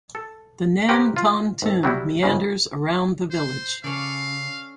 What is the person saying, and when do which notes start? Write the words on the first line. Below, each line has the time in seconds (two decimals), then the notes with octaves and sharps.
The Nam Ton Tun meanders around the village.
0.15 A4
0.89 C4 G4 A#4 B4 C#5 F#5
1.16 F4
1.62 G#1 A4
1.83 F#3 G3 E4 F#4
2.23 G1 G#2 C#3
3.31 C5
3.84 C#3 C#4 A4 D5 F5